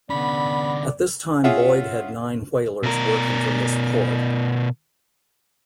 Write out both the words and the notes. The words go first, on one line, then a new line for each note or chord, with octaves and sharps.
At this time Boyd had nine whalers working from this port.
D3 B3 C#4 D5 B5
C#4 F4 G#4 E5 F#5
B2 A#4